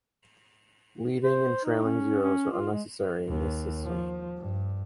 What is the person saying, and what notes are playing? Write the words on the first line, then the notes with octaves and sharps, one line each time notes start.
Leading and trailing zeros are unnecessary in this system.
C5
D#4
C#4
C#4
F4
G#3
D#2
F3
G2